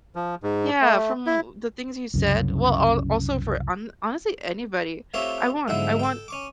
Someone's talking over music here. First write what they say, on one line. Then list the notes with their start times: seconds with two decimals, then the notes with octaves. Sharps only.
Yeah, from the things you said, well, al also for hon honestly, anybody I want I want
0.16 F3
0.43 G#2
0.82 A3
1.27 E4
2.14 C2 F#2 C#3
5.14 A3 C4 F4 G4 C#5 E5
5.68 B1 G#2 D3 F3 E4 E5
5.99 A4 G5
6.28 C#4 C#6 D6